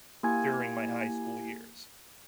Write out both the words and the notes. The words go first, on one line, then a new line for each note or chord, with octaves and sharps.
during my high school years.
A#3 E4 G4 G#5 G#6